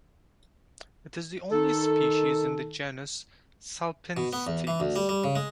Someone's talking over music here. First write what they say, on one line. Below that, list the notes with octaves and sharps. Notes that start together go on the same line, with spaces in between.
It is the only species in the genus "Salpinctes".
D#3 A4
B2
B3
E2
E3
D2
G3
G3
C#3
G#3